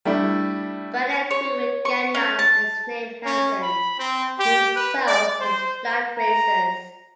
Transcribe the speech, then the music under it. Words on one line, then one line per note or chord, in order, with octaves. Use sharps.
Bradley agreed with Gagnon and his naming Hansen and himself as flag-raisers.
G3 A3 D4 E4
C#5
C#6
C#4
A5
C#4
B5
C4
G4
B4
D5
C5
A#5